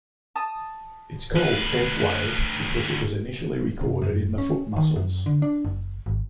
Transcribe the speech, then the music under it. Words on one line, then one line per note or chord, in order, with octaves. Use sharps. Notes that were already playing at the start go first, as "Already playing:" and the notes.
It's called F wave because it was initially recorded in the foot muscles.
A5 D#6
D2 B4
C3
F#2
C#4
D#3
F#2
D3
D4
F#1
G#1